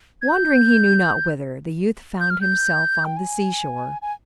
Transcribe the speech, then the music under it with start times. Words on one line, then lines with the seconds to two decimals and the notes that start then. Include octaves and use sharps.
Wandering he knew not whither, the youth found himself on the sea-shore.
0.22 G#6
0.29 G6
2.21 G6
2.30 F6
2.41 G6
3.05 G5
3.17 G#5
4.02 G#5